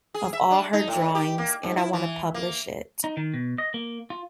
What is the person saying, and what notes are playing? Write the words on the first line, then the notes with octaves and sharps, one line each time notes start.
of all her drawings, and I wanna publish it
G#4
E5
D4
D#4
A2
G4
A#3
G#2
E4
E3
A#3
D#4
D#3
B2
D#5
A#3
F4